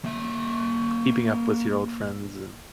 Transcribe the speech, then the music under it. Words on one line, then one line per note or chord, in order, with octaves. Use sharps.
keeping up with your old friends and
A#3 E5